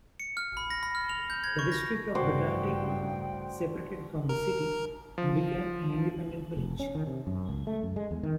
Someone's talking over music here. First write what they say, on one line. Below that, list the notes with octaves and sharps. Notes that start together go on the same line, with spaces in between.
The district of Berente separated from the city and became an independent village.
C#7
F6
B5
A#6
B5
F6
F7
G6
G#6
C#6
A#6
A1 G2 C#3 F#4 C5 D5 G5
A#4
F3
F1
C#4
D#3
C3
F#2
C#2
A3
F#2
G#3
E2
D#3